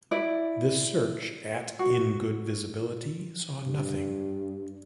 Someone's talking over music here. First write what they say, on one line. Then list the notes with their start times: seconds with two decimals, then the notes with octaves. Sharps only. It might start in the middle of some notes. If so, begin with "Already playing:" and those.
This search at in good visibility saw nothing.
0.11 E4 D5
1.79 F#4
3.67 G2